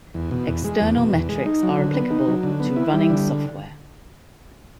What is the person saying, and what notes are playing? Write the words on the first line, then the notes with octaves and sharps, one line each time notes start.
External metrics are applicable to running software.
E2
B2
E2
G#3
E2
B2
E2
G#3
D#4
F#3
D3
B3
D#4
F#3
D3
B3
E4
G3
D3